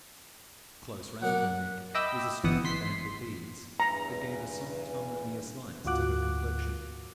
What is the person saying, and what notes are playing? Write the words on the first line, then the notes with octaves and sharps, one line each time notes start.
Close round her neck was a string of amber beads, that gave a soft harmonious light to her complexion.
F#3 A#4 D5 F#5
D#5 E5 G5 B5 D6 E6
G1 E3 B3 F#5 D#6
C6 B6 C7
E2 G2 E3 A#5
D2 G#2 F4 F#4 D6 F#6